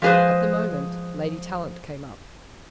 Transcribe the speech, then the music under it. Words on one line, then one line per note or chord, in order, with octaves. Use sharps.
At the moment, Lady Tallant came up.
F3 G#3 G#4 B4 C5